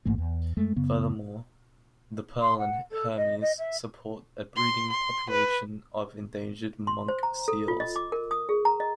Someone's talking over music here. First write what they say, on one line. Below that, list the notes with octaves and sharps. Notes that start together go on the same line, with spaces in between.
Furthermore, the Pearl and Hermes support a breeding population of endangered monk seals.
A1 G#2 A3 A#3
E2
F#2 G#3 A3
F#2 C#3 B3
C6
F#5
A4
D#5
D#5
E5
C6
C6
B4
C6
C5
A#5
A4
F4
D#5
D6
A#4
D#6
G#4
A#5
D#5